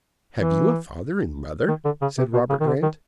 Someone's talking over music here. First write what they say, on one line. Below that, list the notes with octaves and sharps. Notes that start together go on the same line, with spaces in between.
"Have you a father and mother?" said Robert Grant.
E3
D#3
D3
C#3
C3
B2
C#3
D#3
D3
D#3